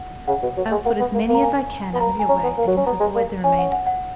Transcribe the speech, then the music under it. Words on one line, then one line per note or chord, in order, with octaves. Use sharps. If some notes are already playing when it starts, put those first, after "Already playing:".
I will put as many as I can out of your way, and you must avoid the remainder.
Already playing: F#5
C#3 F#5
B2
F#3
G#3
A#3 F#5
B3
A#3
A#3
A#5
G#5
B3 B5
A#3 A#5
G#5
C#4 A#5
B3
A#3
F#3
C#4
B3 A#5
G#3
A#3
C#4 G#5
F#5
F#5
F#5